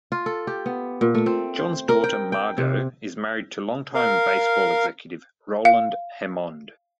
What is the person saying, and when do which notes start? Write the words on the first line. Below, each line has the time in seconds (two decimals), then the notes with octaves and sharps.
John's daughter Margo is married to longtime baseball executive Roland Hemond.
0.12 F4
0.26 A4
0.47 G4
0.66 B3
1.01 A#2
1.15 A3
1.26 C4
1.58 C5
1.89 A#4
2.04 G5
2.32 G5
2.58 C3
3.94 A#4 F5
5.65 F5